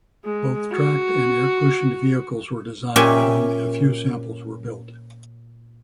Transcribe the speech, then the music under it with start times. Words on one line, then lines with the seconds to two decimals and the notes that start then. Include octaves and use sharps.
Both tracked and air-cushioned vehicles were designed, but only a few samples were built.
0.25 G#3
0.73 F#4
2.96 A#2 C#4 G4 E5 G5 G#5